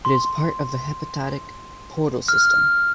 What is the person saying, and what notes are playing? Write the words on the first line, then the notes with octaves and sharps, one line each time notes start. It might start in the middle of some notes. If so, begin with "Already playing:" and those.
It is part of the hepatic portal system.
C6
F6